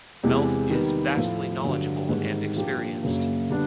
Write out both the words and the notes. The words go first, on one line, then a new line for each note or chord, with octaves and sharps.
Melf is vastly knowledgeable and experienced.
E2 C3 E3 G#3
D#3 G3 B3
A2 F3 A3
G2 D3 F#3
G#2 D#3 G3 C4
A#2 F3 A#3 D4 G4
F#2 C#3 F#3 A#3
D3 G3 B3 D4